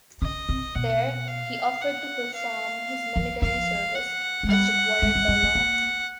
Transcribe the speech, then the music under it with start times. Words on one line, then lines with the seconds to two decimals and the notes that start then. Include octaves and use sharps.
There, he offered to perform his military service, as required by law.
0.22 C#3 D#5
0.49 C3
0.75 B2 F#5
1.29 F5
1.82 F#5
2.35 F5
3.16 F3
3.42 F3 F5
3.96 F#5
4.43 G#3
4.48 G3 F#5
5.02 G#3
5.15 G3
5.28 G3
5.43 A3
5.55 A#3